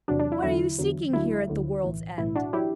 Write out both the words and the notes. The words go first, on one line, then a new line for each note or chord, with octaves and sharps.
What are you seeking here at the world's end?'
E2 C3 F#3 D4
D4
E4
E2 D3 F#3 E4
E2 D3 F#3
D2 D3 F#3 E4
D2 D3 F#3
B1 A2 E3
B1 A2 E3 E4
D4 F#4
F#3 E4 G4